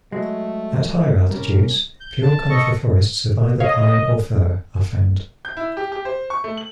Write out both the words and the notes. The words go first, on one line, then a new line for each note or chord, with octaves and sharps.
At higher altitudes, pure conifer forests of either pine or fir are found.
F#3 G#3 A3
C2 G3 C#4 A#4
G6
A5
A4 D#5 C#6
C#5 D#5 F5
G6
E4
G4
G4
C5
C#6
A3
F#7